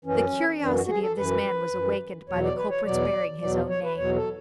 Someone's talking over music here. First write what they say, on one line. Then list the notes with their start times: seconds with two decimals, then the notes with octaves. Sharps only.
The curiosity of this man was awakened by the culprit's bearing his own name.
0.05 F#2 E3 C#4
0.61 F#2 E3 D4
0.75 F#4
0.85 F#4
0.89 G#4
1.03 A4
1.18 F#2 E3 B4
1.73 F#2 E3
2.29 E2 B2 F#3 C#5
2.43 D5
2.57 B4
2.71 C#5
2.85 E2 B2 F#3 D5
3.41 E2 B2 F#3 D5
3.70 C#5
3.83 B4
3.97 E2 B2 F#3 C#5
4.16 A4